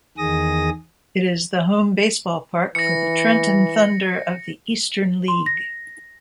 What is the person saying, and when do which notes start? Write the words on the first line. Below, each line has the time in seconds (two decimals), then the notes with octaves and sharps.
It is the home baseball park for the Trenton Thunder of the Eastern League.
0.18 E2 D#3 G#4 D#6 A#6
2.75 E3 A#6 C#7
5.28 C6
5.46 A#6